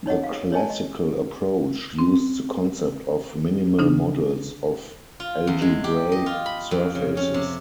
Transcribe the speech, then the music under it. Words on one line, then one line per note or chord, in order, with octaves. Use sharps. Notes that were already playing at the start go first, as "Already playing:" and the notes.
The classical approach used the concept of minimal models of algebraic surfaces.
D#4 C#5 D#5 F#5
F5
C#5 D#5 G#5 A5
D#5
C4
C#3 D4 D#4
F4
E2
G#3
G4
D#5
F4
B5
F2
C#3
C#4
C3